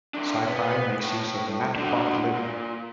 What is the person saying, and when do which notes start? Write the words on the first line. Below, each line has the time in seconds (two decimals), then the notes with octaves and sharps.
SciPy makes use of matplotlib.
0.14 E3 D4
0.48 B3
1.02 A2
1.77 D4 F#4
2.36 A#2